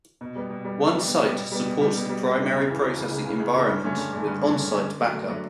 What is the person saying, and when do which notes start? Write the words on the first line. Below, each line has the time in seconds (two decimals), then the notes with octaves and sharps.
One site supports the primary processing environment with on-site backup.
0.21 B2
0.36 G3 B3
0.50 B2
0.65 G3 B3
0.79 B2
0.93 G3 B3
1.08 B2
1.22 G3 B3
1.38 B2
1.52 G3 B3
1.66 B2
1.81 G3 B3
1.95 B2
2.09 G3 B3
2.25 B2
2.39 G3 B3
2.53 C#2
2.68 C#3 E3
2.81 C#2
2.97 C#3 E3
3.11 C#2
3.25 C#3 E3
3.40 C#2
3.54 C#3 E3
3.69 G2
3.84 D3 A3 C#4
3.97 G2
4.13 D3 A3 C#4
4.27 G2
4.41 D3 A3 C#4
4.55 G2
4.70 D3 A3 C#4
4.84 D3
5.00 F#3 A3 D4
5.14 D3
5.29 F#3 A3 D4